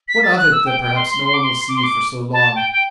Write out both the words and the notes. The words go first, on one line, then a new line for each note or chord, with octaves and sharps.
What of it that perhaps no one will see you for so long?
B6
A6
F#6
E6
G5
G5
C6
C6
C6
D6
C6
D6
C6
D6
A5
G5
G5